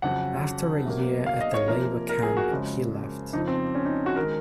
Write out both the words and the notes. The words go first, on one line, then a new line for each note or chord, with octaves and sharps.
After a year at the labor camp he left.
F2 C#3 F#3 F#5
C3 F#3 A#3
F5
D#5
C#5
C3 F3 A#3 A#4
A#4
G#4
F#4
F2 C#3 G#3
F2 C#3 F3 D#4
C4
C#4
D#4
F#4
D#3 G#3 A#4